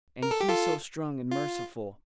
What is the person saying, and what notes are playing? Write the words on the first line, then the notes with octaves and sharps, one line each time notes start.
And He so strong and merciful.
A#4
A4
G4
F4 A4
F4